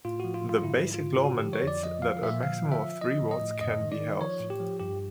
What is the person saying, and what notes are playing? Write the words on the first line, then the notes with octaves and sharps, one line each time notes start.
The Basic Law mandates that a maximum of three votes can be held.
A2 F4
F3 F#4
F4
F3
F4
G#2 E4
G#2
F4
G#2
D3 F#4
G4
F3
C#5
F2 D5
F3 D#5
F3 F5
A#2 E5
F3 F5
F3
E5
F3
F3 D#5
A2
D#5
A2
F#2 D#5
D#3
D5
D#3
F3 C#5
A2
G4
F3
G2 G4